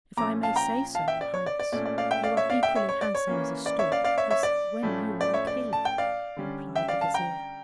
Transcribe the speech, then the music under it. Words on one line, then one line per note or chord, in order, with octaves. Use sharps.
"If I may say so, your Highness, you are equally handsome as a stork as when you were a Caliph," replied the Vizier.
A#2 F3 C#4 A#5 D6
F5 A5
G5 A#5
F5 A5
E5 G5
D5
C#5
D5
D5
A#2 A3 C#4 D5
D5
D5 F5
E5 G5
D5 F5
C#5 E5
D5 F5
E5 G5
C#5 E5
C#5
D5
C#5
E3 A#3 C#4
D5
C#5 E5
D5 F5
D5 F5
C#5 E5
C#5 E5
D5
A2 F3 A3 C#4
D5
C#5 E5
D5
A5
G5
D5 F5
D3 G3 C#4
E5 G5
D5 F5
F5 A5
G5 A#5